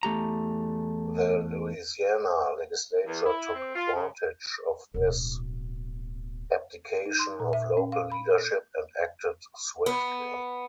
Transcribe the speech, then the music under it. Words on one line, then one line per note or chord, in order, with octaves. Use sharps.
The Louisiana Legislature took advantage of this abdication of local leadership and acted swiftly.
E2 A3 G4 A#5
E2
E4
C4
F4
C#3
D1 B2
D#4
C6
A#2
E5
C#4
F5
B5
A4
B3